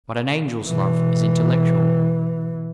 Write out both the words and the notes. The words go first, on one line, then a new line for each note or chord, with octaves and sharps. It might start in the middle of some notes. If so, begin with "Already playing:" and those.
But an angel's love is intellectual.
B2 E3